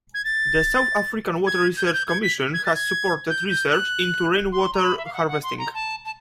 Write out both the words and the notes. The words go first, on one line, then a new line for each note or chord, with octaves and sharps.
The South African Water Research Commission has supported research into rainwater harvesting.
G#6
A6
G#6
G6
G#6
G6
G#6
B6
G#6
A6
G#6
G6
G6
F#6
C6
A#5
B5
E5
F5
F#5
F#5
C6
A#5
A5
A5